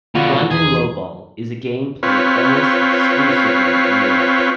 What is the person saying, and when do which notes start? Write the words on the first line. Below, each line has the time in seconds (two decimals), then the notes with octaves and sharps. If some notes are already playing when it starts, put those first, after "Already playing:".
London lowball is a game played almost exclusively in Europe.
0.15 B2 D3 F4 F#4
0.51 E2 G#4
2.03 C4 F4 B4 C#5